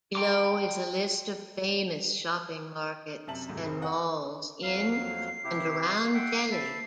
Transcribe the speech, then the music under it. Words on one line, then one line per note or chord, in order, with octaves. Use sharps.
Below is a list of famous shopping markets and malls in and around Delhi.
G5 A#5 C6 D6
F#2 C3 E5 A5 F#7
D#2 G#2 C3 F#3 A3
F1 C4 G#4 B4
D#5 F#5 G5
F2 F#3 F5 C7
C3 E4 G4
E5 F#5 G5
E5 A5 B5